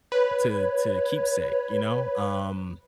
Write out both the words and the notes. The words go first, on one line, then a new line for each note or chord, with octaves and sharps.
to to keepsake, you know? Um
B4 C#5